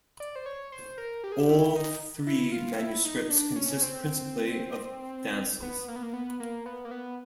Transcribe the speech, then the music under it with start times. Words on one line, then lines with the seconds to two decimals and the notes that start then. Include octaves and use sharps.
All three manuscripts consist principally of dances.
0.20 D5
0.36 C5
0.46 C#5
0.72 C5
0.98 A#4
1.24 G4
1.32 G#4
1.40 G4
1.50 E4
1.76 D#4
2.27 E4
2.52 F4
2.79 E4
3.05 D#4
3.30 D4
3.56 C#4
3.82 C4
5.62 B3
5.88 A#3
5.96 B3
6.03 A#3
6.14 B3
6.40 A#3
6.66 B3
6.85 A#3
6.91 B3